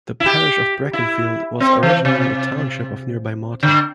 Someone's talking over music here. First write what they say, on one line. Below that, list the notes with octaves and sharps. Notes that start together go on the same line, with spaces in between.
The parish of Brackenfield was originally a township of nearby Morton.
E4
G4
E4
C4
E3
C3
D3